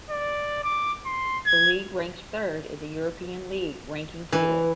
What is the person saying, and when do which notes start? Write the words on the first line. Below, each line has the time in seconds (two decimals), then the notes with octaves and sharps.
The league ranks third in the European league ranking table.
0.10 D5
0.64 D6
1.05 C6
1.46 G#6
4.32 E3